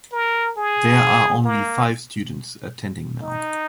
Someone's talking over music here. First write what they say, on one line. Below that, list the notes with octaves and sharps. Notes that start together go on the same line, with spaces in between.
There are only five students attending now.
A#4
G#4
A#3
D#4